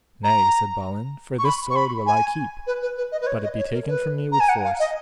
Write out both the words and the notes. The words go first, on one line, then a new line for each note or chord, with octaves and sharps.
Nay, said Balin, for this sword will I keep, but it be taken from me with force.
A#5
C#6
B5
C#6
B5
G#5
B4
B4
B4
D#5
B4
C#5
D#5
C#5
A#4
B4
A#5
G#5
F#5
F5
D#5